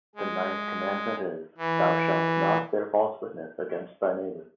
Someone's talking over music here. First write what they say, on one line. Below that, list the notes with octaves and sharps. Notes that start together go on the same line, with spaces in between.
The ninth commandment is, Thou shalt not bear false witness against thy neighbor.
G#3
E3